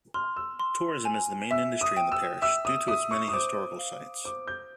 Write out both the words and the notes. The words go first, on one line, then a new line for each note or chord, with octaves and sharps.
Tourism is the main industry in the parish, due to its many historical sites.
C6 F6
E6
C6
G#5
E5 E6
D#6
G5
E6
E5 E6
D#6
E5 D#6
C#6
D#6
C5 D6
F5
C5 D6
G6